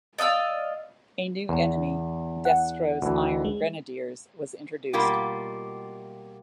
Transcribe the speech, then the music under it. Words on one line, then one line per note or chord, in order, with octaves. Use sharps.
A new enemy, Destro's Iron Grenadiers, was introduced.
D5 D#5 F5 E6
E2
F#5
D2 E3
G#3
B2 G3 A#3 F4 G4